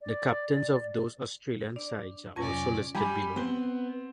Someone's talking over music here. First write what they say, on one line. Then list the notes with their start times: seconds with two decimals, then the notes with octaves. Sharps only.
The captains of those Australian sides are also listed below.
0.02 D5
1.76 D4 D5
2.36 F2 C3 F#3 C#4 D5 G#5 C#6
2.95 G3 G4 G#5 B5
3.36 B3 C4 G7